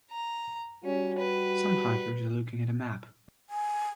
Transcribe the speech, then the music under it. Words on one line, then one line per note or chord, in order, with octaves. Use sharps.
Some hikers are looking at a map.
A#5
G3 C#4 F#4
B4
G#5